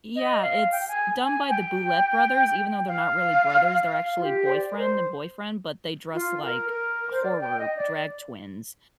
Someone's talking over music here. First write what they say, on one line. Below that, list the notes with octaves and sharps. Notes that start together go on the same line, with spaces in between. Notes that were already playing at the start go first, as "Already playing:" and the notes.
Yeah, it's done by the Boulet Brothers, even though they're not really brothers they're actually boyfriend and boyfriend, but they dress like horror drag twins.
D#5
F5
G5
G#5
G#5
G5
F5
F5
F4
G4
C5
D5
A#4
C5
F4
A#4
A#4
C5
D5
G5
D#5
D5